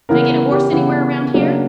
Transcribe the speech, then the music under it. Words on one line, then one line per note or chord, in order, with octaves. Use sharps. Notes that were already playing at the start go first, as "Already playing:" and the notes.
"Can I get a horse anywhere around here?"
C#3 E3 B3 E4 A#4
A#4
G4
C#3 E3 B3 E4
C#3 F#3 A#3 D4